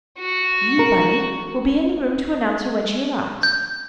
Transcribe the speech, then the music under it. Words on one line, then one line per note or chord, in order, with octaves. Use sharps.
You, Bunny, will be in the room to announce her when she arrives.
F#4
A#4
G6